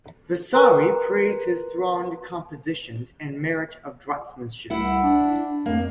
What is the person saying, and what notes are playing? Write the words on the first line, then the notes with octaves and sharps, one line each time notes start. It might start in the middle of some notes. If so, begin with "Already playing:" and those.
Vasari praised his thronged compositions and merit of draughtsmanship.
A#4 B4 A#5 C6 F#6
C2 E4 F#5
D4
F2 A#3